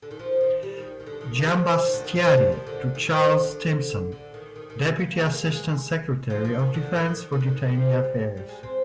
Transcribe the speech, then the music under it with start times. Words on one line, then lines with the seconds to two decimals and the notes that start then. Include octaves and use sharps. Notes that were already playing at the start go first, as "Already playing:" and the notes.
Giambastiani, to Charles Stimson, Deputy Assistant Secretary of Defense for Detainee Affairs.
0.02 D3
0.11 D#3
0.19 F3
0.41 D#3
0.63 G3
0.77 D#3
1.00 D#3
1.06 D3
1.21 D#3
1.36 D#3
1.44 G3
1.50 F3
1.85 D#3
1.94 D3
2.04 D#3
2.16 F3
2.26 D3
2.37 G3
2.52 D#3
2.67 D3
2.95 D#3
3.10 F3
3.19 D#3
3.24 D3
4.12 D3
4.34 D#3
4.56 D#3
4.70 D#3
4.85 G3
4.99 A#3
5.22 G#3
5.34 A#3
5.47 G#3
6.30 F3
6.45 D#3
6.59 D#3
6.74 D3
6.96 D#3
7.17 D#3
7.32 D#3
7.41 D3
7.47 D#3
7.61 G3
7.75 F3
7.86 G#3
7.90 G3
8.04 G3
8.37 G3
8.49 G#3
8.63 C4